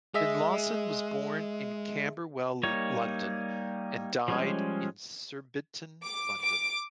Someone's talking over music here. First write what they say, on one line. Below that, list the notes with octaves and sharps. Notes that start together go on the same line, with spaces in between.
Finlason was born in Camberwell, London, and died in Surbiton, London.
G#3 G#4 D#5 E5
G3 A#3 D#4 C#5
F3 G3 G#3 C#4
D6
D6